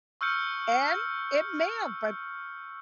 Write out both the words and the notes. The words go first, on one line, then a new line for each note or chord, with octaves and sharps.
And it may have, but
C#6 E6 F6 G6 C#7